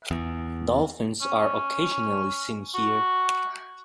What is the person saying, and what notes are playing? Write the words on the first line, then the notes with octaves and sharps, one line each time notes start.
Dolphins are occasionally seen here.
E2
C#4
F#4